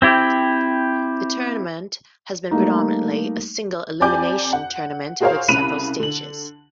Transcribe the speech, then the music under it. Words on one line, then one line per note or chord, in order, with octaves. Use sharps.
The tournament has been predominantly a single-elimination tournament with several stages.
C4 E4 G4
G3 A3 A#3 D#4
F2 G4 D5 G#5 D6 G6
F#5
F#4 G#4 A#4 C5 C#5 F5
C2 C#3 B5 F#6 D#7 F7
D3 F#7